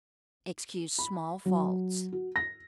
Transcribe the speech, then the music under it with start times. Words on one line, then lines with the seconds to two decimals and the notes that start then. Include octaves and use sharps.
Excuse small faults.
0.99 B5
1.45 F#3
2.12 F#4
2.36 A#6